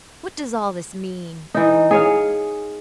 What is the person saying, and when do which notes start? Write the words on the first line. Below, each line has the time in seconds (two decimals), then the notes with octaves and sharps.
"What does all this mean?"
1.54 E3 D#4
1.91 G#4 C#5 F5